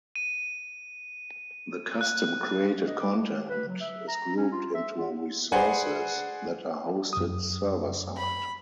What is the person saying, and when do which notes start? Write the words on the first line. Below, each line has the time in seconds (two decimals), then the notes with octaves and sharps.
The custom created content is grouped into "resources" that are hosted server-side.
0.16 D#7
2.01 F#6
2.87 D#5
3.00 D6
3.18 G#3
3.48 B4
3.67 F#3
3.80 E5
4.08 A#5
4.37 C#4
4.52 F4
4.74 E5
4.97 F4
5.52 G#4 B4 C5 D5 F#5 G#5
7.13 F#2 D#6
8.17 B5